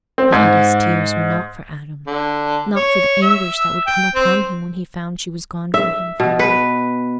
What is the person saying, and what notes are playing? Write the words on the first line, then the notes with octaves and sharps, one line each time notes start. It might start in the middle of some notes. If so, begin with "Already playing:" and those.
But Hetty's tears were not for Adam--not for the anguish that would come upon him when he found she was gone from him for ever.
C4
G#2
D3
C#5
E5
G5
C4
E5
B2
B4